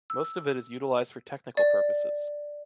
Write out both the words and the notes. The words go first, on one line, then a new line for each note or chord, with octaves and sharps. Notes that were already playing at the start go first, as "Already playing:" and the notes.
Most of it is utilized for technical purposes.
E6
D5